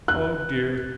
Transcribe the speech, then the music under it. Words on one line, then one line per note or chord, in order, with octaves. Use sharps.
Oh, dear!
F#6